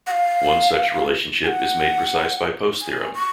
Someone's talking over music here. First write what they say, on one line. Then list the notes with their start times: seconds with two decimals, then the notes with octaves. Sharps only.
One such relationship is made precise by Post's theorem.
0.07 F#5
0.11 F5
1.44 G#5
1.47 F#5
2.81 G#5
3.16 C#6